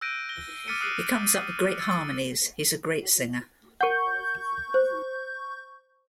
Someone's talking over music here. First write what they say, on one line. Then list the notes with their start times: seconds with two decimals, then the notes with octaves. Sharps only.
He comes up with great harmonies, he's a great singer.
0.01 E6 F#6 G6 A#6 D7 D#7
0.29 A#6 G7
0.67 D6 F6 A6 B6 C#7 D#7
0.81 D#6 F6 F#6 C7 D#7 F#7
1.78 E6 A6 C#7
3.81 A#4 F#5 C#6 G6
4.74 C5